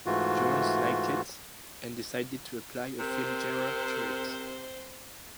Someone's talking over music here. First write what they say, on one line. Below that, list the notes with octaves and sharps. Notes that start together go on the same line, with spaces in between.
Jonze liked it, and decided to apply a film genre to it.
G#2 E3 A3 F4 F#4
C3 C4 A#4 C5